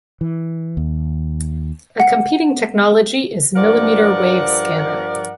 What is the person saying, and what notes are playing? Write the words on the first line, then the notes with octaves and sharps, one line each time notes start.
A competing technology is millimeter wave scanner.
E3
D#2
F#5
G2 F3 A#4 D5 F#5